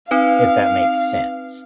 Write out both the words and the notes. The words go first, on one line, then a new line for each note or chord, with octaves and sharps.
if that makes sense.
C4 D#4 B4 F5